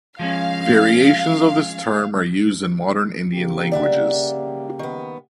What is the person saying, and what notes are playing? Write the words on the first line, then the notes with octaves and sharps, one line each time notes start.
Variations of this term are used in modern Indian languages.
F3 G#3 C#4 F5
C#3 A#3 G4
D5 E5 F#5
D#3 B3